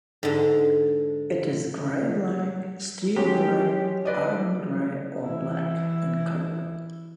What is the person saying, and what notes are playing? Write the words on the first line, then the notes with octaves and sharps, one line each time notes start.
It is gray-black, steel-gray, iron-gray or black in color.
G#2 D3
F#3 G#3 C#4 G4
B4 D5 D#5
E3 E4